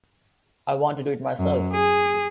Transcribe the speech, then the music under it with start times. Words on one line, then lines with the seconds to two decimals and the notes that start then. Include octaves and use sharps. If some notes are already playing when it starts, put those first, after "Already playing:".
I want to do it myself.
1.39 F#2
1.73 G#4